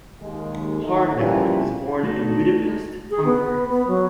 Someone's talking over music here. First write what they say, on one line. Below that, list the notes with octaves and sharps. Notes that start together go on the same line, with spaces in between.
Harnad was born in Budapest, Hungary.
D#2 G#3
D#3 A3 D#4
C#3 E3 F3 G3 A3 A#3
A3 D4 D#4 F#4 A4
G#4
B3
B3
F#3